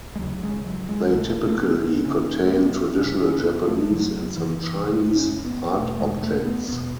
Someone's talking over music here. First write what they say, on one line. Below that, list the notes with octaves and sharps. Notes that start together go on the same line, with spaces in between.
They typically contain traditional Japanese, and some Chinese, art objects.
G#3
D#2 C#3 F#3
G#3
F#3
G#3
D#2 C#3 A3
A3
B3
F#2 C#3 C#4
A3
B3
F#2 C#3 C#4
C#4
B3
A3
F#2 C#3 F#3
E3
F#2 C#3 G#3
C#4
B3
E2 B2 A3
G#3
A3
B3
E2 B2 B3